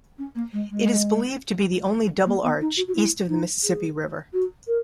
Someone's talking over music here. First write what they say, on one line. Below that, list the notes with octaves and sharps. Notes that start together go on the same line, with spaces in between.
It is believed to be the only double-arch east of the Mississippi River.
C#4
A#3
G#3
G#3
A#3
B3
D#4
F#4
F#4
E4
D#4
G#4
F#4
A#4